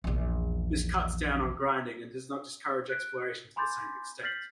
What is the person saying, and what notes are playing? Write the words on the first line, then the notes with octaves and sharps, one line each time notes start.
This cuts down on grinding and does not discourage exploration to the same extent.
A#1 E2
F#6 D7
G#5 B5 C6 D6 G6 A6
F6 G6 A6 B6 C7 F#7